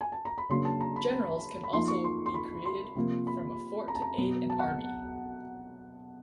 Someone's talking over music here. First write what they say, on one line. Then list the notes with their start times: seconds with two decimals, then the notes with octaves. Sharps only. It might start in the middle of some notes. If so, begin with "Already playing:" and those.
Generals can also be created from a fort to aid an army.
0.01 G#5
0.12 A5
0.25 A#5
0.38 B5
0.49 C#3 F#3 A#3 D4 C6
0.65 A5
0.80 A#5
0.96 B5
1.63 B5
1.73 F3 A#3 D#4 C6
1.88 C#6
2.04 C6
2.26 C6
2.34 B5
2.65 C6
2.95 C3 F3 A#3
3.27 B5
3.88 A#5
3.95 A5
4.02 A#5
4.18 B2 F#3 B3
4.50 A5
4.59 F#5